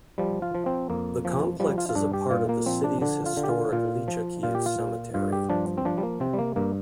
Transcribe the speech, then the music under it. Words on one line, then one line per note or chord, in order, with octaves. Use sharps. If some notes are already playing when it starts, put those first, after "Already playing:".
The complex is a part of the city's historic Lychakiv Cemetery.
F3 G3
F4
F3
C4
F2 A#3
F3
F3 G3
F4
F4
G2 D4
G4
A#2 F4
A#3
F3 C4
D4
D3 D4
F4
D3
G4
F4
A#2 F4
F3
A#2 F4
G4
F4
A#2
G2 F4
G4
F3 D4
C4
F3 D4
G3
A#3
C3 C4
G3
A#3
G2 A#3